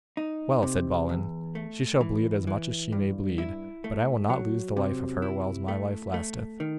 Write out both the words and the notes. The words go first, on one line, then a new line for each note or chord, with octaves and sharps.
Well, said Balin, she shall bleed as much as she may bleed, but I will not lose the life of her whiles my life lasteth.
D#4
C3
E2
A3
E3
E3
G2
E4
A3
F#3
C3
E4
A3
A3
D#3